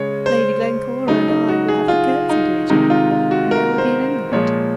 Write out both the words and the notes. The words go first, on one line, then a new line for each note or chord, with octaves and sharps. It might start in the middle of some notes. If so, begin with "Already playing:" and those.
Lady Glencora and I will have to curtsey to each other, and there will be an end of it.
Already playing: C#3 G#3 C#5
C5
C#3 F#3 D#4
D#4
F#4
G#4
F4
D#4
C3 D#3 G#3 D#4
F4
F4
F#4
A#4
C5
A#2 F3 G#3 C#5